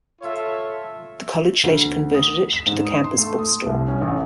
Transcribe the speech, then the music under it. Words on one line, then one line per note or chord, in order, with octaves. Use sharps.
The college later converted it to the Campus Bookstore.
F4 A4 C#5 E5
D2
D#6
E7
G#2
D#6
C6
A3
D#6
C2
C#4
A1